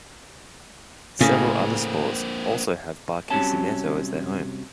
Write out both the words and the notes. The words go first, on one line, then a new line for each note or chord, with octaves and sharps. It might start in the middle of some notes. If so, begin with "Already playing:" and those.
Several other sports also have Barquisimeto as their home.
A2 C#3 A#3 C4
C2 C3 F#3 C#4 A5